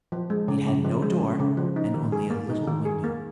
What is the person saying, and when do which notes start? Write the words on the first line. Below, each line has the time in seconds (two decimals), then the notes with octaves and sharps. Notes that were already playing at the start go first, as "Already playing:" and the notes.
It had no door, and only a little window.
0.12 F3
0.30 G#3
0.48 C#3
0.67 C#3
0.85 F3
1.02 G#3
1.21 C#3
1.39 C#3
1.57 F3
1.76 D#4
1.94 D#3
2.12 G#4
2.30 A#3
2.50 D#4
2.67 D#3
2.85 G#4
3.04 A#3